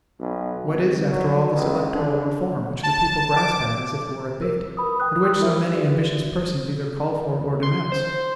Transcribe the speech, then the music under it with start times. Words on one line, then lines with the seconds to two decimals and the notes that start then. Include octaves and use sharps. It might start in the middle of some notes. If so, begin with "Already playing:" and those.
What is, after all, this electoral reform which the people grasp at, as if it were a bait, and which so many ambitious persons either call for or denounce?
0.20 B1
0.73 G#1
1.09 F#3
1.53 C#2
1.93 D3
2.83 A5
3.36 D6
4.42 A#4 E6
4.77 A#4 B4 B5 D#6
5.00 G5 D#6 F#6
5.23 G5 C6 D#6 E6 F#6
5.40 E4 F#4 A#4 E5
5.74 F4 F#4 G#4 B4 D5
7.63 C6
7.92 C5